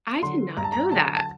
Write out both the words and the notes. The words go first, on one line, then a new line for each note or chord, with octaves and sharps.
I did not know that.
D3 F#3 C6
G2 A#5
A5
A#5
D3 F#3 A5
A5